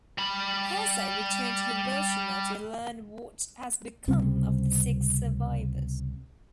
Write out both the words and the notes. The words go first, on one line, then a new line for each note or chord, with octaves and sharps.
Hersey returned to Hiroshima to learn what has become of the six survivors.
G3 B5
C#2 C3 G3 C4